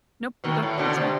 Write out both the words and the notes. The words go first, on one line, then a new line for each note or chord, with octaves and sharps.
Nope, you go. That's fine.
B2 D#3
A2
B2 D3
C3